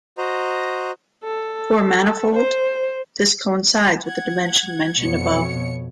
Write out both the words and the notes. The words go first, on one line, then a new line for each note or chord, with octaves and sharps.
For a manifold, this coincides with the dimension mentioned above.
F#4 C5 D#5 A#5
A4
C5
F#5 G#6
F2 B2 C#5 C#7